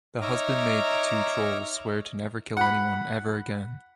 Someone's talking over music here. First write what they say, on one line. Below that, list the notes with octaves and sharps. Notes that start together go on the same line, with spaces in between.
The husband made the two trolls swear to never kill anyone ever again.
D#4 C#5 E5 A#5 D6 F6
F#5 B5